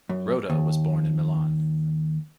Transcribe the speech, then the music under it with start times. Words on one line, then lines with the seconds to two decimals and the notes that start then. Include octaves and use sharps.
Rota was born in Milan.
0.09 F#2
0.50 D#2